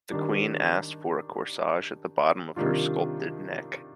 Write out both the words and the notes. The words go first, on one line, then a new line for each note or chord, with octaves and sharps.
The Queen asked for a corsage at the bottom of her sculpted neck.
D#3 G3 D4
C3 D#3 G3 D4 F4